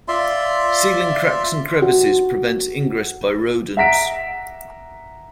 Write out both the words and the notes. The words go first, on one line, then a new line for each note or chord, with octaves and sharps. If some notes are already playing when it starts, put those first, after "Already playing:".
Sealing cracks and crevices prevents ingress by rodents.
F4 D5 E5 C6
F#4
E5 F#5 A#5 B6 D7